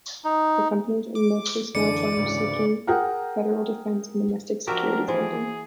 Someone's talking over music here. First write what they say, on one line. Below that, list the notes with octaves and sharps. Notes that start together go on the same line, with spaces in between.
The companies are mostly small firms seeking federal defense and domestic security funding.
D#4
D6
F#2 D3 E3 D5 C#7 D#7
D2 G#2 C#3 E3
G#4 A#4 F#5 G5 A#5 F6
F3 A#3 D4 F#4 G4 A#4 E5
E3 G#4 C5